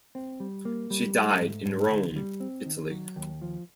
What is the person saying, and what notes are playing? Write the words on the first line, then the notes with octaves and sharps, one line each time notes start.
She died in Rome, Italy.
C4
G3
A#3
G3
A3
G#2
G#2
D2
G3
C4
D#3
F#3
D#2
F3